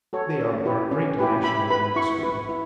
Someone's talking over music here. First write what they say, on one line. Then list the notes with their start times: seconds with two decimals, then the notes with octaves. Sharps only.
"They are our great national industry."
0.13 F#4 A4 C#5
0.39 C#4
0.65 E4 G4 B4
0.91 C#4
1.18 E4 G4 B4
1.44 E4 B5
1.71 B4 B5
1.96 E4 C#6
2.23 B4
2.49 E4